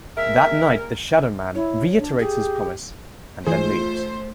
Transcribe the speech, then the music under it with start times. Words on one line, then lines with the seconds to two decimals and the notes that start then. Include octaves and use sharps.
That night, the shadow man reiterates his promise and then leaves.
0.17 G#3 A#3 A#4 E5
1.55 E4 C#5
1.99 D4
2.19 G4 G#4
3.47 E3 A3 F4 G#4 C5